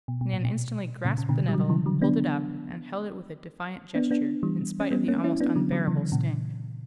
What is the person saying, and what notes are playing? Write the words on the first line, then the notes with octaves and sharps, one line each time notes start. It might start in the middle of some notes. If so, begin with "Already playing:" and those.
Nan instantly "grasped the nettle," pulled it up, and held it with a defiant gesture, in spite of the almost unbearable sting.
B2
B2
A#2
B2
A#2 C#3
C#3
B2 D3
G3
D3 F#3
C#3 E3
D3 F#3
B3 D4
B3 D4
B3 D4
E3 G3
C#4
G3 B3
A#3 C#4
C#4 E4
B3 D4
D3 F#3
D3 F#3
C#3 E3
A#2 C#3